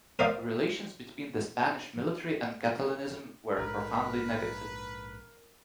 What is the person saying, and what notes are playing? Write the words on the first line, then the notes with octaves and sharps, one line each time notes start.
Relations between the Spanish military and Catalanism were profoundly negative.
A#4 C5 D5 D#5 F5
A#1 G#2 D3 A#4 B4